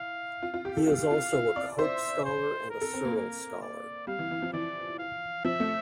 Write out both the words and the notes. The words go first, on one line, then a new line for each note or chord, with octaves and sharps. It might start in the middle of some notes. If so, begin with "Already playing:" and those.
He is also a Cope Scholar and a Searle Scholar.
Already playing: E4 F5
F4
F4
G4
A4
F4 F5
F4
E4
D5
C5 E5
C5
A#4
A4
C4
A#3
A#4
D5
G3 F5
E3
E3
F3
E3 D5
F5
F3 E5
A3